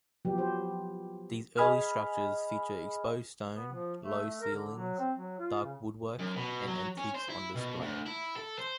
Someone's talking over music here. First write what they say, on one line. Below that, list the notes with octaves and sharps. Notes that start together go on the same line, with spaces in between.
These early structures feature exposed stone, low ceilings, dark woodwork, and antiques on display.
F3 F#3 B3 G4
G4 C5
G#4 D#5 G#5 B5 D#6 F6
B3
F3
A3
A3
A#4
D3
F#3
C4
F#3
F4
C#3
F#2
B2
F#3
C#4
C5
E4
B2
D2
E4
A4
C5